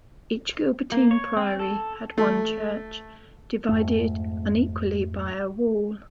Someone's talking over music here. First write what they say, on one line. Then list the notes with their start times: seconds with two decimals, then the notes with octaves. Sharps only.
Each Gilbertine priory had one church, divided unequally by a wall.
0.92 A#3
1.11 C#5
1.37 C4
1.59 A4
2.18 A3
3.69 F2 G#2 A3